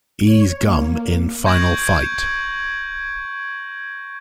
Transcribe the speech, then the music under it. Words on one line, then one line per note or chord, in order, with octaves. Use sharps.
E's gum in "Final Fight".
C#5
A#3
C#6 G6 G#6 A#6 D7 F#7